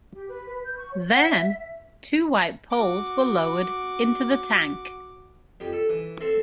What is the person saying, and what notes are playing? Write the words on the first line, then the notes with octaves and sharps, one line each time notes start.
Then, two white poles were lowered into the tank.
G4
B4
B4
G6
C#6
C#5
F#5
E5
F#4 D6
F2 G4
A4
E3
C4 A4 E5